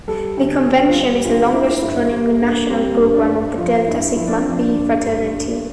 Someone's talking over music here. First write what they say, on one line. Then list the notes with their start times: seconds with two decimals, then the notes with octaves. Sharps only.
The Convention is the longest-running national program of the Delta Sigma Phi Fraternity.
0.08 G3 A4
0.37 D2
0.66 D2
0.89 F4
0.95 G3 G4
1.24 D2 F4
1.53 D3 E4
1.62 F4
1.71 E4
1.82 G2 E4
2.04 A#3
2.12 G3
2.26 A3
2.41 G2
2.48 A#3
2.70 G3 C4
2.92 A#3
2.99 G2
3.14 D4
3.28 G2
3.35 D4
3.57 F3 F4
3.86 G2 E4
4.16 F3 E4
4.27 D4
4.39 C4
4.45 F3
4.50 D4
4.74 G2
5.04 G2
5.33 G2